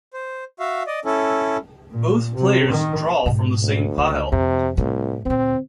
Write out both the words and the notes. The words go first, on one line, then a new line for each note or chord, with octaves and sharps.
Both players draw from the same pile.
C5
F#4 E5 F5
D5 D#5
C#4 E4 A4
A#2
C3
D#3
G#2 B2
D2
C#2
F2 C3
C2 A2
D2 A#2 C4